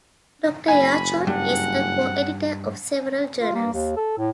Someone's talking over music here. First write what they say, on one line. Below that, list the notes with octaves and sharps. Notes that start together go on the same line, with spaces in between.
Doctor Yarchoan is a co-editor of several journals.
F#1 G#5 B5
G2 F#5
F4
A#3
D#2
A4
A2